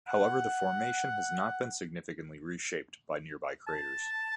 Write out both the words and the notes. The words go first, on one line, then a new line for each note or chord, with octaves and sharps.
However the formation has not been significantly reshaped by nearby craters.
F#5
A5